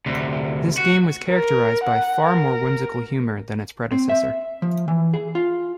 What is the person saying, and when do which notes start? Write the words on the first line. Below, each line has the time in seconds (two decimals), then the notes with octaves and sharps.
This game was characterized by far more whimsical humor than its predecessor.
0.06 D2 C3
0.78 F#4
1.29 A#4
1.84 F#5
2.27 A#4
3.92 C4
4.09 E5
4.62 F3
4.88 E3
5.14 G#4
5.35 F4